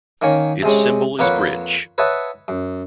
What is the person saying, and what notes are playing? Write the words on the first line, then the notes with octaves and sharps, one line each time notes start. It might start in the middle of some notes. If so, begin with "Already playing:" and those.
Its symbol is bridge.
D#3 A#3 C#4 C#5
C3 G#3 C#4
F2 A#3 B4 C#5 F#5 B5
B4 C#5 D#5 E5 F#5 A5
F#2